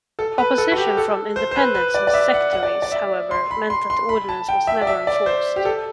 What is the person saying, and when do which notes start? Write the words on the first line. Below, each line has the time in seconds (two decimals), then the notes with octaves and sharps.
Opposition from Independents and sectaries, however, meant that the ordinance was never enforced.
0.19 A4
0.38 B4
0.58 A4
0.72 F#4
0.77 G4
0.97 A4
1.36 C5
1.51 C5
1.56 B4
1.75 B4
1.94 D5
2.07 D5
2.14 E5
2.34 F#5
2.53 F#5
2.63 D5
2.82 D5
2.92 E5
3.31 C6
3.51 B5
3.70 C6
3.90 C6
4.09 B5
4.29 A5
4.49 G5
4.67 E5
4.81 D5
4.87 E5
5.07 D5
5.26 C5
5.56 G4
5.65 A4